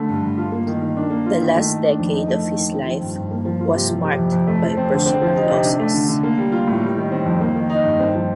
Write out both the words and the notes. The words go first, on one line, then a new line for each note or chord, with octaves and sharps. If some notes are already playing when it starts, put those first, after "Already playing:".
The last decade of his life was marked by personal losses.
Already playing: D3 A3
G2
G2
F4
A#3
D#3
D#3
D4
A#3
F4
D#3
A3
D#3
D4
F2
D#4
A3
D#3
D#3
C4
F3
G2
G2
A#3
F3
F4
C3
F3
C3
F2
F2
A3
F3
C4
D3
C4
F3
D#4
C3
D4
A3
D3
D3
A#3
G3
F4
A2
G3
D#3
C4
F2
A#3
D#3
D#4
G2
C4
F3